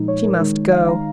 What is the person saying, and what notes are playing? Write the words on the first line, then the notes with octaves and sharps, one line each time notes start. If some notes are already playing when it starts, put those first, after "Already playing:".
She must go.
Already playing: A#2 F3 G#3 D#4
C#5
A#4
D#3 G#3 D#4 C#5
F5
A#5